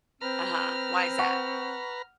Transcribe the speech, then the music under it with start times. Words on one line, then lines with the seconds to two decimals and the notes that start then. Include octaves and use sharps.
Uh-huh, why's that?
0.21 C4 B4 A#5 F6
1.19 F#5 C#6